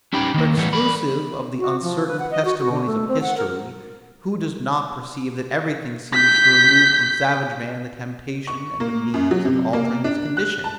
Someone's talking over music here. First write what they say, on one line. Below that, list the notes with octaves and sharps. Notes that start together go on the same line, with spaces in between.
But exclusive of the uncertain testimonies of history, who does not perceive that everything seems to remove from savage man the temptation and the means of altering his condition?
C#4 D#4 G4 G5 B5
D#3 A#3
A2 E3 G3 B3
A#4 D5 B5
F#4
F3
B4
F#5
D#5
F#4
F#4
D3
A3
C4
F#5
A#4
G6 B6
C#6
A#3
F#2
F#3
C3
A#3
D4
F#6
A5